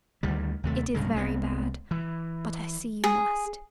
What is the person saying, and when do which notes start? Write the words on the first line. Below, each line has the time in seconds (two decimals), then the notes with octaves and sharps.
It is very bad--but I see you must.
0.23 D2 D#3 G3
0.63 D#2 C3 A3
0.94 B1 G2 C#3 G#3
1.14 C2 G#3 B3 C4
1.91 E3
3.04 G#4